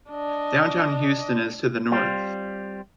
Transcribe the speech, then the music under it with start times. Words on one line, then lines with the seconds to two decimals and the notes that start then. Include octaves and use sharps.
Downtown Houston is to the north.
0.10 D4 D#5
1.91 G3 C4 F4